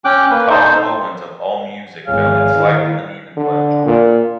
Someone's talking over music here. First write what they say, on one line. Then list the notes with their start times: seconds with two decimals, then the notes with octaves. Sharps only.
Thom Owens of Allmusic found it "slightly uneven but enjoyable".
0.05 C#4 G5 D6 F#6
0.30 A#3 B4
0.50 D#4 A4 C5
2.07 G#1 E2 G#4 C#5 F5
2.56 D#3 E4
3.37 D3
3.85 A#2